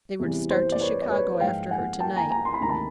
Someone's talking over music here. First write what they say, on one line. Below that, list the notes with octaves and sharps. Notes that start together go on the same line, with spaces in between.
They were to start to Chicago after her to-night.
E2 C3 E3 G3
C5
D5
B4 C#5
D5
B4 C#5
G#2 F3 G#3 F5 G5
F#5 G#5
G5 A5
G#5 A#5
G#5 A#5
C6
B5
D2 C3 D#3 G#3 A#5
A5 B5